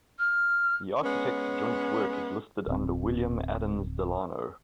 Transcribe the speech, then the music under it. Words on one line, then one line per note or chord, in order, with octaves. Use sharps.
The architects' joint work is listed under William Adams Delano.
F6
G#3 B3 C#4
D1 C4